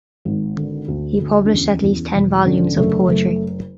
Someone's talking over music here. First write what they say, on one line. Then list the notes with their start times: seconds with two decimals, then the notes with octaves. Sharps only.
He published at least ten volumes of poetry.
0.25 G#1
0.57 D3
0.88 D2
1.20 D2
1.45 D4
1.52 E2 C#4
1.83 E2
2.15 E1
2.46 D3 C#4
2.77 F#1 A3
3.08 F#1 A3